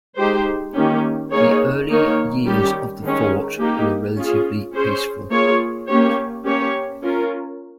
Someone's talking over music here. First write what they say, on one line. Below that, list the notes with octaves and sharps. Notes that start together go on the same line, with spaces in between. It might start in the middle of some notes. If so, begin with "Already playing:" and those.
The early years of the fort were relatively peaceful.
G#3 D#4 G4 C5
D#3 A#3 C#4 G4
A#3 D#4 G#4 C#5
D#3 A#3 D#4 A#4 C#5
D#3 G3 C#4 G4
D#3 G#3 C#4
A#3 D#4 G4
C#4 F4 G#4
C#4 G#4 C5
A#3 F4 G#4 C#5
A#3 C#4 G4 C#5
A#3 C#4 G4 C#5
C#4 F4 A#4